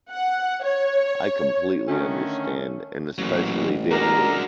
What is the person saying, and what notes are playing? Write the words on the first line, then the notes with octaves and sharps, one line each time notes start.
I completely understand, and especially dealing with a
F#5
C#5
D3 D#3 A3 C#4
A1 A#2 F#3
G#3 D4 F#4 A#4